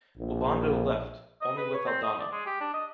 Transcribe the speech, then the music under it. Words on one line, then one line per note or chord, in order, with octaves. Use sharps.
Obando left, only with Aldana.
A#1
D#5
B4
C#5
C4
D#5
D5
G#3
G4
D4
D#5